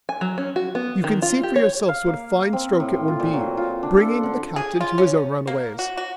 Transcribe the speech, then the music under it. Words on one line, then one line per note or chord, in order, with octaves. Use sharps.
You can see for yourselves what a fine stroke it would be, bringing the captain to his own runaways!
G#5
F#3
C#4
F#4
B3
D#3
F4
G4
C#5
F5
A#3
C4
A2
F4
A#2
F#3
F4
D4
A4
D3
G#4
F4
C#4
A#3
F#4
F#4